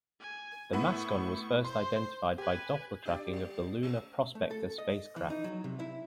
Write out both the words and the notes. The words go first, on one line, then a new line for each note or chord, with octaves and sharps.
The mascon was first identified by Doppler tracking of the Lunar Prospector spacecraft.
G#5
A2 B3 E4 C#6
C5 C6
G4 B4 G#5
D4 G4 D5
G3
A3
A3
A4
D#5
E3
D#4
F#3
C3
E4